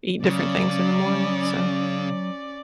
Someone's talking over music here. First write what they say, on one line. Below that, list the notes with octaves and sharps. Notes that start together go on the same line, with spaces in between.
eat different things in the morning. So.
C#3 F#3 C#4 D5